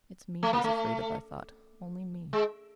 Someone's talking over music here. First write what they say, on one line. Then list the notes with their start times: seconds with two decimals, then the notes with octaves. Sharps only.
It's me he's afraid of, I thought, only me.
0.43 A3
0.53 A#3
0.64 A3
2.33 G#3